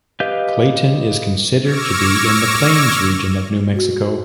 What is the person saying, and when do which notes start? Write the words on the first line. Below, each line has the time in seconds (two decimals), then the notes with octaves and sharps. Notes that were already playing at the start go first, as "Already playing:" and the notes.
Clayton is considered to be in the Plains region of New Mexico.
0.20 G4 B4 D#5 F5 G6
1.62 C#6 D6 E6 F6 G#6 A#6
3.76 F#4